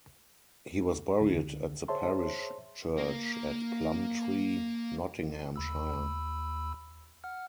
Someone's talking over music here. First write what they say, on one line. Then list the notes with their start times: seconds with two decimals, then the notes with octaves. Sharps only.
He was buried at the parish church at Plumtree, Nottinghamshire.
1.21 C#2 D3
1.88 G#4 C5 C#5 E5 A5 C6
2.98 A#3 A#4
5.56 D#2 B5 E6
7.24 F#5 F6